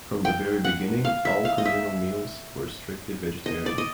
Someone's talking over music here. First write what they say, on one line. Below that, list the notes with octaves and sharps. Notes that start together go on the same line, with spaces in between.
From the very beginning, all communal meals were strictly vegetarian.
G5
F#5
F5
E5
F5
D#5
E5
D#5
D5
D#5